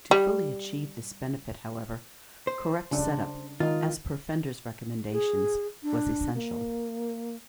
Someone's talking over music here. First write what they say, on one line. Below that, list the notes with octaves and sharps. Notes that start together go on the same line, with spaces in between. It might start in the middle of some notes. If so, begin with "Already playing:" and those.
To fully achieve this benefit however, correct setup, as per Fender's recommendations, was essential.
G3
C5
C#3 D4
D#3 D#4 F4
G#4
D4
A#3